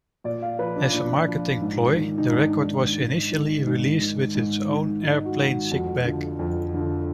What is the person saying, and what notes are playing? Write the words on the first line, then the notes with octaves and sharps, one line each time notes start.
As a marketing ploy the record was initially released with its own airplane sickbag.
A#2 D5
F5
F3 B4
D4
A#2 D4
F3
G#2
D#3
D#4
G#2 D4
D#3
G#2
D#3
G#2
D#3
G#2
D#3
G#2 D#4
F#4
D#3
F#4
F2 F#4
D3 F3
F2
D3 F3